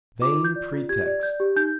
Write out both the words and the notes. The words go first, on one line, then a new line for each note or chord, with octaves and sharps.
Vain pretext!
F4 D6
F4
G6
D5
F4
G4 G#6
D5
D5 G6
G4
D#4 G6